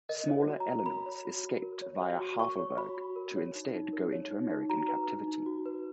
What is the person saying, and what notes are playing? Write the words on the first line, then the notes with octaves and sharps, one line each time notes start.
Smaller elements escaped via Havelberg to instead go into American captivity.
A#4 D#5
C#5
F#4
A#5
F#4
A#4 B5
C#5
F#4
F#4
A#4
C#5
F#4
F#4
A#4 C#6
C#5
F#4 B5
F#4
A#4
C#5
D#4
D#4
A#4
C#5
D#4
D#4
F#4 A#5
B4
D#4
D#4
F#4
B4